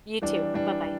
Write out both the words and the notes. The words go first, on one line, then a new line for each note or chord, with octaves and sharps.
You too. Bye-bye.
E3 G3 D4
E3 G3 D4